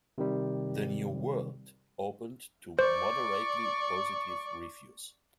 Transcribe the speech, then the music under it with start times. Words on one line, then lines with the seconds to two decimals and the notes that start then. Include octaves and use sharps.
"The New World" opened to moderately positive reviews.
0.18 C3 D#3 G3
2.79 C5 D5 C#6